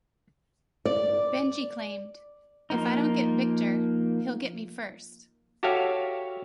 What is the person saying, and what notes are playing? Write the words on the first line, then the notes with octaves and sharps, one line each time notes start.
Benji claimed "If I don't get Victor he'll get me first".
D5
F3 A#3 D#4
F#4 G4 A4 C#5 E5 F5